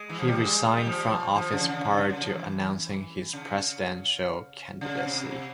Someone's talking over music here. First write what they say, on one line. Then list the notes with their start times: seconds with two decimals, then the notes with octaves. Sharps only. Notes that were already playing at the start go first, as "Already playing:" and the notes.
He resigned from office prior to announcing his presidential candidacy.
Already playing: G#3
0.09 E3
0.19 F3
0.28 G3
0.37 G#3
0.77 G3
0.86 F3
1.35 F3
1.52 C#3
1.64 E3
1.69 C#3
1.85 C#3
1.97 C#3
2.10 C#3
2.22 F3
2.34 E3
3.33 C#3
4.81 C#3
5.06 C3
5.31 C3